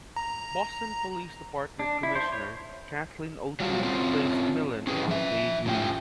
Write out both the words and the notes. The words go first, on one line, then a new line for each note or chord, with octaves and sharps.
Boston Police Department Commissioner Kathleen O'Toole placed Milien on paid leave.
A#5
D4
E4
C5
C#5
F#3 G3 F4 F#4
C4 C#4 F4
C#4 E4 G4 G#4 B4
F3 E5
A2 C#4 F4 G5